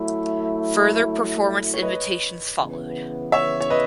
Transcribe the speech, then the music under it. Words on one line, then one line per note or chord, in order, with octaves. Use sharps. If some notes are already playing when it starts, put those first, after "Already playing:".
Further performance invitations followed.
Already playing: F#3 A3 E4
C#5
B4 D#5
C#3 E3 B3
C#5 E5
C#5
B4 D#5